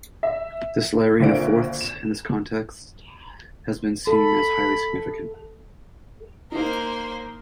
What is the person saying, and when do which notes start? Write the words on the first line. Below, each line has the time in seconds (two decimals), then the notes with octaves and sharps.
This layering of fourths in this context has been seen as highly significant.
0.23 E5
1.20 D2 A#2 A#3 C4 D4 D7
1.81 E7
4.07 A4 B5
6.52 A#3 D#4 A#4 C5